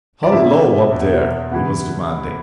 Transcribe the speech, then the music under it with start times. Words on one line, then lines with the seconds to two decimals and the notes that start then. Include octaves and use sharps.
"Hullo, up there!" he was demanding.
0.23 D5
0.32 B2 A#3 D4 E5
0.91 E2 B2 A#3
1.51 C#3 E3 G3 B3 F#5